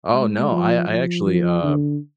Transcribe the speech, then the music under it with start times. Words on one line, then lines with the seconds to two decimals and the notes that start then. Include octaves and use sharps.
Oh, no. I I actually, uh,
0.13 G#3
0.51 F3
0.88 F3
1.26 F3
1.63 D3